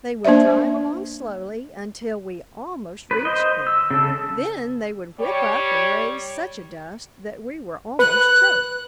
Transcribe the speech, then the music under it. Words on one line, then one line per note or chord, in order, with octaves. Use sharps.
They would drive along slowly until we almost reached them; then they would whip up and raise such a dust that we were almost choked.
A#3 D4 C5 D5 E5
B4
C5 D#5
E6
C#3 A4
G3 C#5
B4 F#6